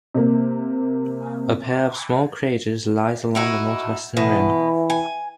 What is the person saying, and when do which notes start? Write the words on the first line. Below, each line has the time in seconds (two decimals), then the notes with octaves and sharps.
A pair of small craters lies along the northwestern rim.
0.14 C3 A#3
3.35 D#4 E4 F#4
4.17 B2 E3 B3
4.90 G#5